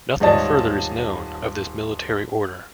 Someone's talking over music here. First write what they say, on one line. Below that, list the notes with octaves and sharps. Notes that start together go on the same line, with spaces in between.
Nothing further is known of this military order.
D#1 G#2 C#5 D#5 A5 A6